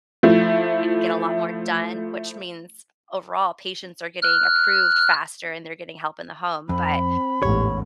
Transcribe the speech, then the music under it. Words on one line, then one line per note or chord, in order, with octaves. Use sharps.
and get a lot more done, which means, overall, patients are getting approved faster and they're getting help in the home, but
F3 A3 E4
F6 F#6
F2 C4 B5
A1 E2 G#2 G4 C#5